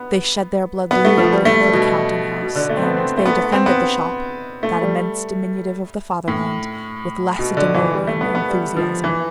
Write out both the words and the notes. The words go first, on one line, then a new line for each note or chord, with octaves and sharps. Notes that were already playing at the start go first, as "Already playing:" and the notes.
They shed their blood lyrically for the counting-house; and they defended the shop, that immense diminutive of the fatherland, with Lacedaemonian enthusiasm.
Already playing: B3
B3
A3
F3
G3
A3
G3
B2
B2
D3
A3
C4
B3
C4
A3
B3
C4
B3
A3
G3
A2
B2
D3
E3
G3
A3
B3
B3
G3
F3
E3